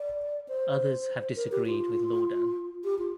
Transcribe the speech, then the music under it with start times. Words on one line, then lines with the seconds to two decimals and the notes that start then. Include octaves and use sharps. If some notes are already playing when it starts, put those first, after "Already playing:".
Others have disagreed with Laudan.
Already playing: D5
0.48 C5
1.36 A#4
1.52 G4
1.66 F4
2.84 G4
2.98 F4